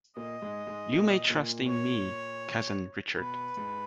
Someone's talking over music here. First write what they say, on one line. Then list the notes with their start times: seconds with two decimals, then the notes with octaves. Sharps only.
You may trust in me, cousin Richard.
0.16 A#2 A#3 D#5
0.42 G#2 G#3
0.67 G#2 G#3
0.92 A#2 A#3
1.30 A#2 A#3
1.68 C#5
3.20 B2 B3 B4
3.57 G#2 G#3